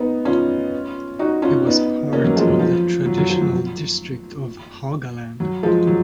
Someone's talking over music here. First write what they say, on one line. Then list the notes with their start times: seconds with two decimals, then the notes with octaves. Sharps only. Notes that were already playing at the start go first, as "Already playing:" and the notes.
It was part of the traditional district of Haugaland.
Already playing: B3 D#4
0.25 C#4 F4
1.19 D#4 F#4
1.42 C#4 F4
1.66 B3 D#4
2.13 A#3 C#4
2.24 F#3 A#3
2.36 F3 G#3
2.48 F#3
2.59 F3
3.06 F#3
3.18 F#3
3.30 F3
3.41 F#3
5.40 F#3
5.63 F3 G#3
5.87 F#3